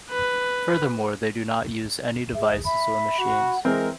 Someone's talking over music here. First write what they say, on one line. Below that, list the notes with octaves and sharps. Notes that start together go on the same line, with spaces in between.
Furthermore, they do not use any devices or machines.
B4
G#4 E5
E5 B5
F#4 F#5
E3 G#3 C4 G#4 A#4